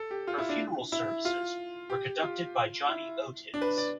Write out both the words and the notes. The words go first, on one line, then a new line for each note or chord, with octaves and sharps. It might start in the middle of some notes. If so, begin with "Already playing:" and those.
Her funeral services were conducted by Johnny Otis.
Already playing: A4
G4
F4
E4
D4
E4
F4
G4
F4
E4
D4
B4
D5